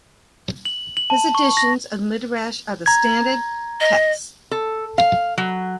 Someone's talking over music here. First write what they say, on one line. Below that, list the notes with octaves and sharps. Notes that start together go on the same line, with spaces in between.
His editions of the "Midrash" are the standard texts.
F#7
F#7
A5
C#6
A#6
A#5 G#6
D#5
A4
F5
F#3